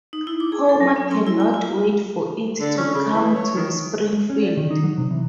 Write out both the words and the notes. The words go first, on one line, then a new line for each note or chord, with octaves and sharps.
Homer cannot wait for it to come to Springfield.
D#4
E4
D6
G#4
A4
F#3
C#4
C6
E4
G#5
F4
D3
C#4
C#3
E3
C#5
D#3
C#4
D5
D#3
D#4
F#3
C3
E3